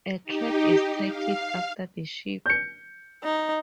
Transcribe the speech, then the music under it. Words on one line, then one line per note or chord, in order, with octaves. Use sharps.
A track is titled after the ship.
D#4 G4
F5
G6 C#7
D#4